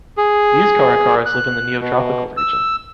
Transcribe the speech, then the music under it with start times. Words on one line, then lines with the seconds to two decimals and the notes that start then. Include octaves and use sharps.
These caracaras live in the neotropical region.
0.18 G#4
1.26 F#6
1.80 B2
2.37 E6